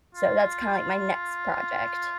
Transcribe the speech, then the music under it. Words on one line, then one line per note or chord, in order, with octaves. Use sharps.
So that's kinda, like, my next project.
F4